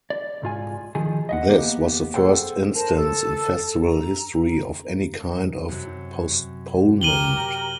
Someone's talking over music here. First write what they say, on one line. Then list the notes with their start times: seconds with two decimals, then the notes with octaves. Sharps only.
This was the first instance in festival history of any kind of postponement.
0.10 D5
0.42 C2 G#2 F4 G#5
0.95 D2 D#3 F3 G#4
1.29 D#5 E5 F#5
1.50 A#3 B3 G4
2.14 G#4 A4 C5 F#5 G5
2.75 A#4 C5 A5
2.95 A4
3.84 A#5
5.68 F#2 C3
7.01 G4 A#4 D#7 F#7 G7